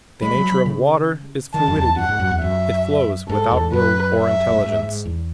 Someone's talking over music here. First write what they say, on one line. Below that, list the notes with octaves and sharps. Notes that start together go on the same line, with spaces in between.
The nature of water is fluidity; it flows without will or intelligence.
G#3 B5
F#3
F#3
C#3
D#3 A5
F#2
E2
F#2 F#5
G#2
F#2
E2
F#2 E5
G#2 A4
E2
F#2 B4
E5
A2
G#2
G#2
E2